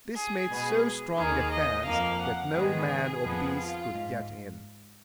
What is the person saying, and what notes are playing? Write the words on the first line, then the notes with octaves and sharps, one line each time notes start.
This made so strong a fence that no man or beast could get in.
G#4
B2 G#3 B3
D#2 D#3 A#3 G#4
D#5
F2 F3 A#3 F5
F#5
G#2 D#3 G#3 B3 G#4
F2 F3 B3
F4
G#2